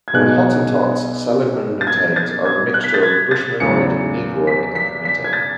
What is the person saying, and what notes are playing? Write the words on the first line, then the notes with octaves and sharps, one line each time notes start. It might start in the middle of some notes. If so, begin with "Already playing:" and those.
The Hottentots, Seligman maintains are a mixture of Bushmanoid, Negroid and Hamitic.
G#6
B1 B2 G#3 B3 D#4 F#6
A6
G#6
A6
G#6
F#6
B6
A6
G#6
A6
E2 C#3 F#3 C#7
B6
B6
B6
G#6
A6